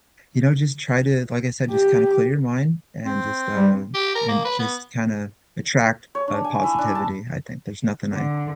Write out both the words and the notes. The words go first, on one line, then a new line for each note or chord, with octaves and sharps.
you know, just try to, like I said, just kinda clear your mind and just, uh, and just kinda attract, uh, positivity, I think. There's nothing I
G4
C4
G3
G4
A#4
A#3
B4
B3
C#5
D4
G#5
E4
D4
A5
D3